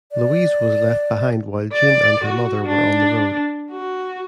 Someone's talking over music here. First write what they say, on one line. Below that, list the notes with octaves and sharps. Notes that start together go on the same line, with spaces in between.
Louise was left behind while June and her mother were on the road.
D5
D5
F#4
D4
F#4